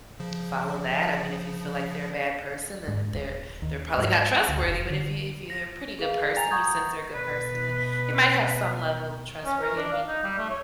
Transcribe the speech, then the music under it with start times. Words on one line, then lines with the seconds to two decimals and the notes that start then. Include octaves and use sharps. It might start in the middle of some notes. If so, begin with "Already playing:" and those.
follow that I mean, if you feel like they're a bad person, then they're they're probably not trustworthy, but if you if you're a pretty good person, you sense they're a good person, then they might have some level of trustworthy I mean
0.20 C#3 F3
2.88 G#2
3.13 D#1
3.62 D#2
3.98 G#2
4.49 D2
4.62 F1
4.90 D3
5.50 A#6
5.99 G#4 F5
6.37 G5 G#5 A#5 A6 F7
6.50 F#5 A#5 C#6 D#6 G6 G#6
7.15 B2 B4
9.45 C#4
9.61 A#4
9.76 D4
9.92 F5
10.06 D#4
10.24 G3
10.38 A3
10.49 C#5